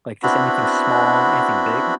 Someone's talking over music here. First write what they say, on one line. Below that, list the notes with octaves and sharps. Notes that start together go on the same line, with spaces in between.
Like, just anything small, anything big?
B3 C4 D4 E4 F#4 B5